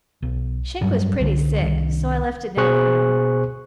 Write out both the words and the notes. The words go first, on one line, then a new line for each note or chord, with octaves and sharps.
Schenk was pretty sick, so I left a note for him.
B1
G2 F#3 G3
C2 D3
C2 D#3
B2 B3 G#4 C5 C#6 F#6